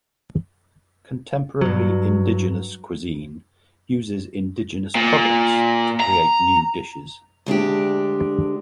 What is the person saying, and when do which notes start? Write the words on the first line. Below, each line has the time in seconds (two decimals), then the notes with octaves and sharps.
Contemporary indigenous cuisine uses indigenous products to create new dishes.
1.61 G2 F#3
4.95 A#2
6.00 A#5
7.46 D2 G#3 D4 G4